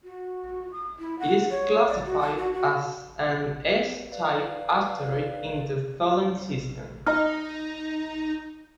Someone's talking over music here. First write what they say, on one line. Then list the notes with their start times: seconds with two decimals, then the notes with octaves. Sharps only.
It is classified as an S-type asteroid in the Tholen system.
0.04 F#4
0.72 D#6
0.99 E4
1.19 F#5
1.50 C#5
1.88 D5
2.05 F#4
2.20 A5
2.38 F#4
2.53 F#4
4.12 B4 D5 F5
7.07 D#4 D#5 A#5 F6